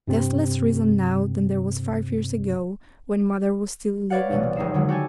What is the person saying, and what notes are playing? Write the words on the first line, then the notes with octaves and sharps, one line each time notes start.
There's less reason now than there was five years ago when mother was still living.
G2 C3 C4
B4 C#5 D5 F5 F#5
C2 B2 E3
C3
F1 C#2 D#4 C7 E7
D3 D#3 F#3 G#3
F#4 G4 A4 G#5